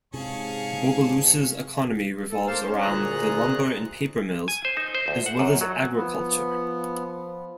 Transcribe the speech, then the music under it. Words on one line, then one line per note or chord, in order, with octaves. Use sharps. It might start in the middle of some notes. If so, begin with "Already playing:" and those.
Bogalusa's economy revolves around the lumber and paper mills, as well as agriculture.
G#2 C3 C#4 G#4 F5 A5 C#6
A4
A#3 C5 F5 A5
C#4
D2 A#2 G#4 A#5 F#6
G#5
C5
D#4
C5
D2
F#5
F#2
F#3
F3 B3